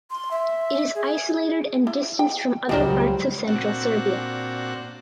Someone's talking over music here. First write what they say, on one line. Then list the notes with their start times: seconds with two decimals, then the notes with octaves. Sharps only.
It is isolated and distanced from other parts of Central Serbia.
0.11 C6
0.31 E5
0.95 G#4
1.87 E4
2.19 G5
2.69 C#2 D#3 F#3 G3 F#4 A#4 C5
3.47 A#2 C4 D4 F#4 F#5